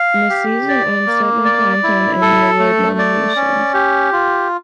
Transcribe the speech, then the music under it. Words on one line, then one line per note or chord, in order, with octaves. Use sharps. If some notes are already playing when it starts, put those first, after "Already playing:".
The season earned seven Primetime Emmy Award nominations.
Already playing: F5
G4
D5
A#3
D5
E4
A4
A3
D5
C#4
G4
F4